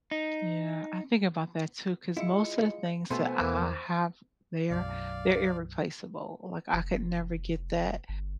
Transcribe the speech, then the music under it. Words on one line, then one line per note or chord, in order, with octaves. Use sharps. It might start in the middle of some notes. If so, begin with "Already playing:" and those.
Yeah, I think about that too, 'cause most of the things that I have there, they're irreplaceable, like, I could never get that
D#4
G#3 E4 F4 C#7
B2 A3 B3 C5 G#5 C6
E2 A#3 D6
B1 F#2 D5 F5
F1
G1